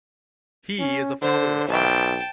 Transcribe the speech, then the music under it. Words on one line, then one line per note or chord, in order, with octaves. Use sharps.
He is a father of five.
C#4
D3 C5
B1 G5 A5